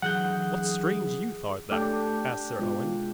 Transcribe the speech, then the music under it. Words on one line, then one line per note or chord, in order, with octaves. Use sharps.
'What strange youth art thou?' asked Sir Owen.
D3 E3 F#3 G#4 F#5 F#6 G6
A3 D4 G4 A4
B2 G#3 F4